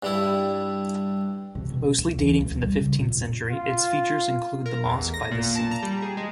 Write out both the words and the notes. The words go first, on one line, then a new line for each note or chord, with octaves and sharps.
Mostly dating from the fifteenth century, its features include the Mosque by the Sea.
G2 G3 E4
C3
B2
D#2
E3
D2
F#3
G3
C#3
A#2
F2
F4
A#4
E2
A1
A#6
A#2
A5
A#5
G3
G#4
G#3